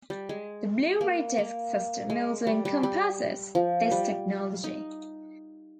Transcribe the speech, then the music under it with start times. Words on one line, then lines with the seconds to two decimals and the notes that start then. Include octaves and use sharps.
The Blu-ray disc system also encompasses this technology.
0.10 G3
0.29 G#3
1.01 A#3
1.38 A#3
2.10 G#3
2.47 G3
2.65 G3
2.83 G3
3.55 F3
3.91 G3
4.64 D#4